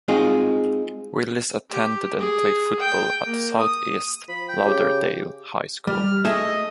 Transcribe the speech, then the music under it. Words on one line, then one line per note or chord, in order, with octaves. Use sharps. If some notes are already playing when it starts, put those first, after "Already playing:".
Willis attended and played football at Southeast Lauderdale High School.
G#3 C4 D#4 F4 F#4 G#4
G4
G#4
G5
A#3
D#6
F3 B5
G5
C#3 G4
G3 F6
A3 G#4 D#5 E5